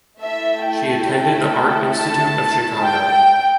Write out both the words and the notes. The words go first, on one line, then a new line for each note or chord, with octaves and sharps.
She attended the Art Institute of Chicago.
A3 E4 A4 E5
G5
A5
G5
G5